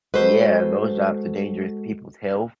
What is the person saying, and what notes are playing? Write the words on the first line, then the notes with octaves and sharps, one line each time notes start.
Yeah, those jobs are dangerous to people's health,
G#3 F#4 A4 B4 C5